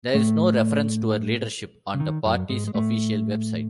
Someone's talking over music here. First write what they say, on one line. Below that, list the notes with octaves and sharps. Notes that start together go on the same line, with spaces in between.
There is no reference to her leadership on the party's official website.
A2 A3
C#3
D#3
F#2 F#3
G#2 G#3
G#3
A2 A3